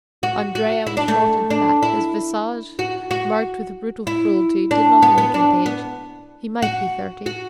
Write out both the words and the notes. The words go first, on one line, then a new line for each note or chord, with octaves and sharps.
Andrea was short and fat; his visage, marked with brutal cruelty, did not indicate age; he might be thirty.
F#4
F#4
E4
D4
A3
D4
E4
F#4
F#4
E4
D4
B3
B3
D4
B3
F#4
F#4